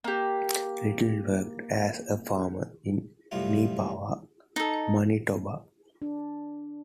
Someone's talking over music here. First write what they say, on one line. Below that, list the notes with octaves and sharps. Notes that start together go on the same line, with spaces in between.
Little worked as a farmer in Neepawa, Manitoba.
A#3 G4
F#2 A2 C3 G3 F4 F#5
D#4 A4
D4